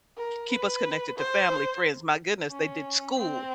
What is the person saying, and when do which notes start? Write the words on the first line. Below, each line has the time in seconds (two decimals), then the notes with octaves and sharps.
keep us connected to family, friends. My goodness, they did school,
0.17 A#4
0.51 B4
1.17 C5
2.50 C#4
3.17 C4